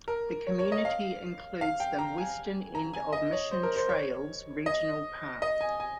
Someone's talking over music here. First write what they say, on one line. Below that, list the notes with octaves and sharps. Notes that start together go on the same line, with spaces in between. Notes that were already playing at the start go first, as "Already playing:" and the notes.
The community includes the western end of Mission Trails Regional Park.
A#4
C#5
C#5
D#5
F5
F5
G5
A#5
G#5
A#5
G#5
D#5
C#5
C5
A#4
C5
C#5
D#5
D#5
G#5
G#5